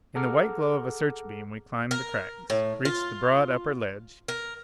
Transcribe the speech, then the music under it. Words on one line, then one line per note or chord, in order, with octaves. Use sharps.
In the white glow of a searchbeam we climbed the crags, reached the broad upper ledge.
G#4 A4 F#5 A#5 D6 F6
A#4
A2
F4
A#4